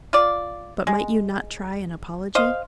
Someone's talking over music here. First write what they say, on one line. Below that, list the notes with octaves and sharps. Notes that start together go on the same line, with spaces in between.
"But might you not try an apology?"
F4 D5
G#3
C5 D#5 F5